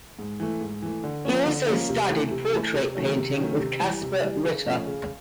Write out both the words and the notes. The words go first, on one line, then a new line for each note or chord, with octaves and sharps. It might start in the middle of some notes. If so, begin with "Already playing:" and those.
He also studied portrait painting with Caspar Ritter.
G#2
E3 A3
G#2
E3 A3
D3
F3 A#3 C#4
D3
F3 A#3 C#4
C3
E3 A3
C3
E3 A3
C3
D#3 F#3 A3 C#4
C3
D#3 F#3 A3 C#4
C3
E3 G3
C3
E3 G3
C#3
F3 A3 C#4
C#3